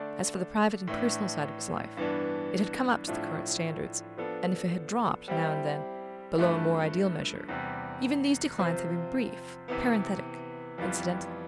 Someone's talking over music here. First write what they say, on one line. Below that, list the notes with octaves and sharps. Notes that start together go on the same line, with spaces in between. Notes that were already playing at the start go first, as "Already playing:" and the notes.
As for the private and personal side of his life, it had come up to the current standards, and if it had dropped, now and then, below a more ideal measure, even these declines had been brief, parenthetic, incidental.
Already playing: D3 A3 D4 A4 D5
A2 E3 A3 D4
G2 E3 B3 D4
A2 F3 A3 D4
F3 B3 D4 A4
G3 C4 E4 G4
G2 F3 A3 E4 B4
E2 C3 G3
C3 F3 C4 F4 C5
C3 E3 B3
F2 E3 G3 B3 F4